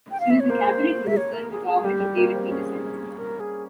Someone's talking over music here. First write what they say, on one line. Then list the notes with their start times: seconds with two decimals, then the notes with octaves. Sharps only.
She was a cabinet minister in the government of David Peterson.
0.11 G5
0.20 F5
0.30 E5
0.40 C#5
0.50 A#3 C5
1.07 E5
1.17 C#5
1.33 A#4
1.51 G#4
1.67 G#4
1.84 G3 G4
2.00 G3
2.17 A#3
2.34 C4
2.51 C#4 G#4
3.18 A#4
3.40 G#4